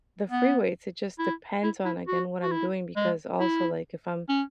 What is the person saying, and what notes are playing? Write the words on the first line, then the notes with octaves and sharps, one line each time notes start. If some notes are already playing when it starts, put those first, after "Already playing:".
the free weights. It just depends on, again, what I'm doing because, also, like, if I'm
B3
E4
E4
E4
F#4
F#4
E4
G#3
E4
C#4